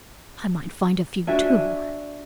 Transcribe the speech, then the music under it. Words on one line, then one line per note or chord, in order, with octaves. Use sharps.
"I might find a few, too."
D4 F#4 E5 G#5